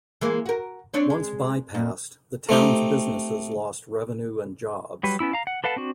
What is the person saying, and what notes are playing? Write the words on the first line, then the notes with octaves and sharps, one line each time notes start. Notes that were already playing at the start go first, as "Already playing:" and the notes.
Once bypassed, the town's businesses lost revenue and jobs.
E3 G#3 A#3
F#4 A#4
C4 D4 C#5
G#3
A#2
A3 C4 D#4 G4
F#3 G3 B4
B3 C#4 E4 E6
F5 A#5
F#5
A4 B4 F5 F#5 A5
C4 D4 F#4